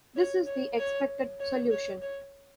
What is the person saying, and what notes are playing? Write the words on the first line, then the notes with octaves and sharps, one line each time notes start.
This is the expected solution.
C#5
C#5
C#5
C#5
C#5
C#5